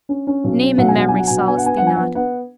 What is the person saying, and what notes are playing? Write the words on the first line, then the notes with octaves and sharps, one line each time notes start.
Name and memory solace thee not.
C#4
C#4
B1
C#4
B1 F#5
G#5
B2 F#5
F#3 G#5
F#5
B2 G#5
F#5
B3 G#5
F#5
B3 G#5
F3 F#5
G#5
F#5
B3
B3 F#5